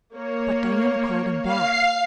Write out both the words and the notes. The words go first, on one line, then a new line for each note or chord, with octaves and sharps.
But Diana called him back.
A#3 C#5
F5 C7